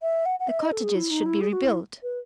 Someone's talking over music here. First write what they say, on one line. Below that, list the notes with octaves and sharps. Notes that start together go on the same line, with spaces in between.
The cottages should be rebuilt.
E5
F#5
F#5
E5
D#5
A4
G#4
E4
D#4
E4
G#4
F#4
E4
B4